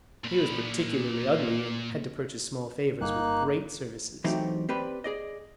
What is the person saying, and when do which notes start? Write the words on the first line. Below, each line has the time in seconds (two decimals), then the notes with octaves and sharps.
He was particularly ugly, and had to purchase small favours with great services.
0.24 A#2 B5
3.01 G1 A#3 D#4 F#6
4.24 E3 F#3 A3 C4 D#4 G4
4.69 C4 G4 B4 D5
5.04 G#4 D5 D#5